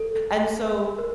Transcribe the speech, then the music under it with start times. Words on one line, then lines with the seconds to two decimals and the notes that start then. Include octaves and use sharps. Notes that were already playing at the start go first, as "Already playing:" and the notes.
and so,
Already playing: A4
0.98 A#4